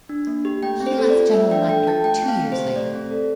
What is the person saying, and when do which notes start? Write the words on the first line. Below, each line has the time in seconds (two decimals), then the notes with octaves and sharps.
He left General Electric two years later.
0.09 D4
0.27 A#3
0.45 G4
0.63 A3 G5
0.80 C4
0.86 C5
0.98 A4
1.10 D5
1.16 F4
1.34 A3 E5
1.51 D4 G5
1.69 A4 G5
1.87 F4 A5
2.04 A3 G5
2.23 C4
2.28 F5
2.40 A3
2.52 C5
2.58 G4
2.76 A3 D5
2.93 C4
3.11 A4